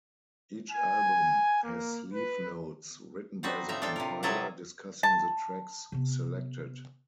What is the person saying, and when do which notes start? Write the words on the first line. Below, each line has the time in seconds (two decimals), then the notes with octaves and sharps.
Each album has sleeve notes written by the compiler discussing the tracks selected.
0.72 G#5
1.63 A#3
2.14 B4
3.43 C4 D4 D#4 F#4 B4
3.69 A2 F3 D#4 E5 A#5
3.82 D4 F4 A4 G5
3.96 C3 A#4
4.23 C3 F#3 E4 A4 D#5 A#5
5.03 A5
5.92 C3 B3